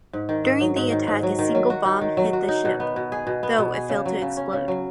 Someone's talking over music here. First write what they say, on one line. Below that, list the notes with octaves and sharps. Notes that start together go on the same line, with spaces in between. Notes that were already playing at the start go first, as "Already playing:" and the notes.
During the attack, a single bomb hit the ship, though it failed to explode.
G#2
D#3
G#2
F#3
G#2
D#3
G#2
F#3
D#3
F#3
F#4
D#4
D#3
F#3
F#4
D#4
B2
B3
B2
G#4
B2
B3
B2
G#4
C#3
F#3
C#3
C#4
C#3
F#3